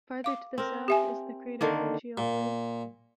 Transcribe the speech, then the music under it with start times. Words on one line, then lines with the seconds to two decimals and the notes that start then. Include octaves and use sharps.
Farther to the south is the crater Riccioli.
0.24 F5 D6
0.58 C4 A#4
0.88 G4 E5 G#5
1.61 D3 D#3 A#3
2.18 A#2